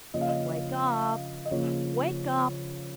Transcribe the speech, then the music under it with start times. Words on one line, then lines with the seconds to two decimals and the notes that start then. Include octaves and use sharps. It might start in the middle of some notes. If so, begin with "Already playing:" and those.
"Wake up! Wake up!"
0.14 C#3 F3 A#3 C#4 D#5
0.21 F5
0.29 D#5
1.45 D#5
1.51 C#3 F3 A#3 C#5